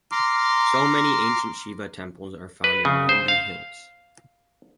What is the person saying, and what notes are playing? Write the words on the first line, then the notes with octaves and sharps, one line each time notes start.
So many ancient Shiva temples are found in Nandhi Hills.
A#5 C6 D6 F6
B4
C#3
C5
F5